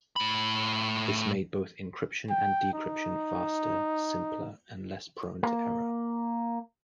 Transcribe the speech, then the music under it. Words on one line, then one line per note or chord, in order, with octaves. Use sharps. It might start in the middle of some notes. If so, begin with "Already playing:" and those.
This made both encryption and decryption faster, simpler and less prone to error.
A2 B5
G5
D#4
A#3